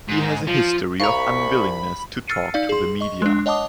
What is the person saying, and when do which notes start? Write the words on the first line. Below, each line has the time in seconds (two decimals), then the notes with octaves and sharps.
He has a history of unwillingness to talk to the media.
0.09 G#2
0.48 F3
1.00 C2 F5 A#5 B5 C#6
2.28 E6 F6 A6 C7 C#7 D#7
2.54 D#4 D5 F5
2.69 G#4 C6
3.01 D#5 C#6
3.22 G#3 D4
3.46 C#5 D#5 F#5 A5 D6 D#6